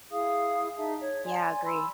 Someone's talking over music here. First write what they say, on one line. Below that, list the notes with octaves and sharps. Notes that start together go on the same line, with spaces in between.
Yeah, agree.
E4 G#4 F5 D#6
D#4 G#4 E5 A5
C#5
D5 G#5 C6
B5 C6 E6